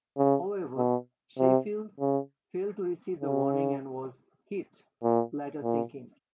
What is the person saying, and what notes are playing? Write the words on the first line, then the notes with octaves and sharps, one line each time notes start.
However "Sheffield" failed to receive the warning and was hit, later sinking.
C#3
B2
C3
C#3
C#3
A#2
A#2